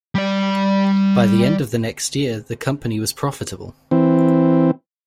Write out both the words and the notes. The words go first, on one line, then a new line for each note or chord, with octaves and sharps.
By the end of the next year the company was profitable.
G3 D5
E3 C4